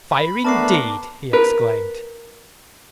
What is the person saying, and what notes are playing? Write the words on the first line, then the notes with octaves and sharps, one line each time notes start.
"Fire, indeed!" he exclaimed.
B5
A3 B3 D4 A#4 A5 D6 C7
A#4 B4